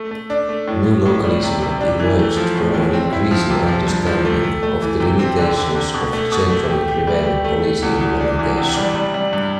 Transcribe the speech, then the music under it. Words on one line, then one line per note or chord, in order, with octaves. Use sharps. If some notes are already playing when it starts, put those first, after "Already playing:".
New localism emerged from an increasing understanding of the limitations of centrally-driven policy implementation.
Already playing: A3
A3
D4
A3
A2
A2
A2
G3
C3
C3
D4
E3
A3
F3
A2
A2
C4
E4
F3
C3
F3
G2
F3
A3
A3
A3
E3
C3
C4
D3
D3
D3
B2
A3
B2
A3
G4
G4
G3
G4
A3
A3
E2
E2
D4
E3
C3
G3
G3
G3
G2